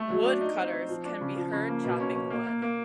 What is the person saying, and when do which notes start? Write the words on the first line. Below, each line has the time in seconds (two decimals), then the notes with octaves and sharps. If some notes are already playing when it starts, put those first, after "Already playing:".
Woodcutters can be heard chopping wood.
Already playing: A3
0.10 F#3
0.26 D4
0.41 D#4
0.57 C4
0.73 C4
0.89 F3
1.05 D4
1.21 C#3
1.36 F3
1.53 C#3
1.68 A#3
1.84 B2
2.00 C#4
2.15 C#4
2.30 A#3
2.46 A#3
2.62 A#3